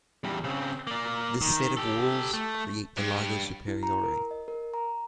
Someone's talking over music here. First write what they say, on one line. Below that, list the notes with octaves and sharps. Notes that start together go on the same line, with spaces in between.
This set of walls create the Lago Superiore.
E2 G3
C#3 C4
A#3 D5
D#3
G4 A4
A3
G2
E4
A#5
A#4
D#5
A#4
A#5